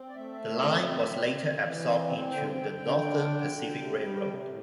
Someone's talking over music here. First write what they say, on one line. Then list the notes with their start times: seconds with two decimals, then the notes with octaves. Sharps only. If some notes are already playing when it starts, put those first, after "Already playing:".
The line was later absorbed into the Northern Pacific Railroad.
Already playing: C4
0.09 D5
0.16 A3 E5
0.39 A2
0.64 C4
0.88 C4
1.12 C4
1.35 C4
1.60 E3
1.84 C4
2.07 C4
2.31 D3 G5
2.56 D3
2.79 D3
3.04 D4
3.27 D3
3.52 D3
3.75 C3
3.99 G3
4.24 C3
4.48 A2